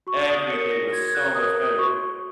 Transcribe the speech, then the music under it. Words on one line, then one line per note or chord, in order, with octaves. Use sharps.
Everything was so much better,"
F#4 C#6
D#6
A#4 C#5 C#7
A#6
F#4 G#6
G#6
F#6
A#4 C#5 D#6
D#6
F#4 C#6